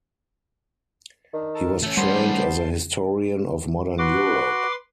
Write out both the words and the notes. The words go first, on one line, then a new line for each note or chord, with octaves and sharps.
He was trained as a historian of modern Europe.
D#3 D4
A4 A#4 A5
A3 C#4 E5 A5
G3 B3 C5 A5 C6
F#4 B4 C6 D6